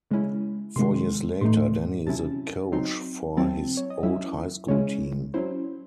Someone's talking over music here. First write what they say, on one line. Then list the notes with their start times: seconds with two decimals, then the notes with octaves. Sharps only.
Four years later, Danny is a coach for his old high school team.
0.11 C#3 G#3 C#4 E4
0.76 C3 D#3 G#3 C6
1.41 A2 E3 A3 D#4 C6
2.07 C3 F#3 C#4 E4 A5
2.72 F#3 C4 D#4 C6
3.37 F#3 C4 E4 A5
3.77 C#5
3.90 D#5
4.03 F#3 C#4 E4 E5
4.68 C#3 G#3 C#4 E4 C#5
5.34 F#3 C#4 E4 C5